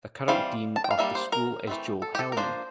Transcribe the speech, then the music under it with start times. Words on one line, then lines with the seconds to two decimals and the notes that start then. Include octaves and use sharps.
The current dean of the school is Joel Hellman.
0.28 E3 G3 C4 F5
0.76 A5
0.84 G5
0.91 F5
0.98 G3 A#3 D4 E5
1.15 C5
1.32 A#4
1.67 E3 A3 C4
2.02 A4
2.15 G4
2.19 A4
2.32 A#4
2.37 F3 A#3 D4 C5